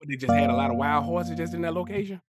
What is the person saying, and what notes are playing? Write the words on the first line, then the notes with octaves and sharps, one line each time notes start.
What they just had a lot of wild horses, just in that location?
F#2 A#3 D5 F5